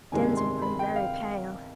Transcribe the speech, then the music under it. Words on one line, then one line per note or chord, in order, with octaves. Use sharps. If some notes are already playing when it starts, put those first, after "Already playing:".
Denzil grew very pale.
G1 F2 C3 D#3 G#3 G#5
C6
B5
G5
F5